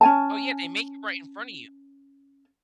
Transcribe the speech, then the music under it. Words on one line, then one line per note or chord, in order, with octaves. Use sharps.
Oh, yeah. They make it right in front of you.
C#4 G#5 A5